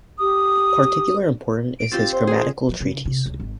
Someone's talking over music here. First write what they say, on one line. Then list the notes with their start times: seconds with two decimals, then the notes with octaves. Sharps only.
Particular important is his Grammatical Treatise.
0.19 G4 D#6
1.79 D7
1.92 C4 F4 G4 A6
2.13 C5
2.27 G#4 A#4
2.69 F3
2.80 C#3
3.05 C3
3.26 C#2
3.40 G#1